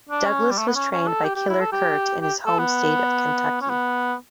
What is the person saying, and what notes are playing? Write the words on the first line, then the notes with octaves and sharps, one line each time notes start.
Douglas was trained by Killer Kurt in his home state of Kentucky.
D4
C#4
G3
A3
B3
C#4
C#4
A4
G4
G4
E4
A4
G4
G4
A4
B3
C#4
B3